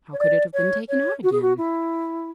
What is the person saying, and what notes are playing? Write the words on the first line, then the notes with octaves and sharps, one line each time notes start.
How could it have been taken out again?
C#5
D5
C#5
C#5
F#4
G#4
F#4
E4